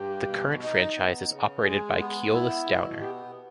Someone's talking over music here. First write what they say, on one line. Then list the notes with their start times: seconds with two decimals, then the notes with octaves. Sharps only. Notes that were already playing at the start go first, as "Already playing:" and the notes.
The current franchise is operated by Keolis Downer.
Already playing: G2 G4
0.28 B2
0.62 D#4
0.96 B3
1.30 C#3
1.65 G#3 G#4
1.99 B3
2.33 E4
2.67 B2
3.01 B3 G4